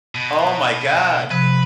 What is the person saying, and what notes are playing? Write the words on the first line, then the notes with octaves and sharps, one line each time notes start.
oh my god.
B2
C3 F3 B4